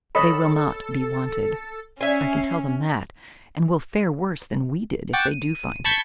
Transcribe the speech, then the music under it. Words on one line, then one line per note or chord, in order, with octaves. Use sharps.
They will not be wanted, I can tell them that, and will fare worse than we did if they do find it.
A4 C#5 D#5 B5
C#4 E5 G#5 C7
F#5 G5 C#6 D6 A6 E7
D#7
A5 B5 C#6 G6 G#6 B6